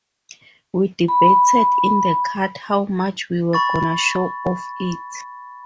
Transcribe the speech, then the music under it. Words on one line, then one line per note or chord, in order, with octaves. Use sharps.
We debated in the cut how much we were gonna show of it.
B5
B5 C#6 A6